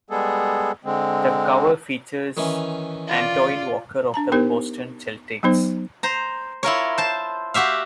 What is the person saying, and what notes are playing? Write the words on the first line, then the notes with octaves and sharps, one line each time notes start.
The cover features Antoine Walker of the Boston Celtics.
G3 G#3 B3 G#4 A4
D3 G#3 C4
D#3 E3 C#4
F4 D5
D4 A5 A#5
B3 D#4 G4 A#4 C5
F#3 B3 D#4 C5
C5 A#5
E4 F4 A#4 C#5
C5 A5
F#4 G4 E5 F5